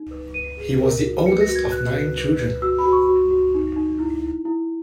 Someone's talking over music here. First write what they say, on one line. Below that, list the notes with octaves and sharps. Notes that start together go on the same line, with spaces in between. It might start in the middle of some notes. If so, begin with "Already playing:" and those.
He was the oldest of nine children.
Already playing: D#4
B4
B4 D#7
G#4
A#4
F#4
B4 C#7
A#6
F#4
G#6
B4 F#6
B4
B4
B4
F#4 E6
B5
F#4
C#6
F#4
F#4
D#4
D#4
E4
E4
E4